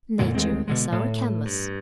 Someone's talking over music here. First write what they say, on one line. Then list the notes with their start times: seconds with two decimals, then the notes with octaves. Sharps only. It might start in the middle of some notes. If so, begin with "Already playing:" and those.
Nature is our canvas.
0.19 F2 A#2 D3 G#3
0.34 D#2 G#3 A3 C4
0.68 B2 D3 G#3
0.92 A2
1.45 G2